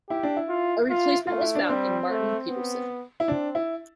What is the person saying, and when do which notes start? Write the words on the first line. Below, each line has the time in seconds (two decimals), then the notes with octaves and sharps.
A replacement was found in Martin Pedersen.
0.09 E4 G4
0.23 D4
0.37 E4
0.49 F4
0.90 F4
1.27 A3 F4
1.41 E4
1.55 D4
1.69 G3 C4
2.09 A3
2.49 B3
3.20 E4
3.28 C4 D4
3.55 E4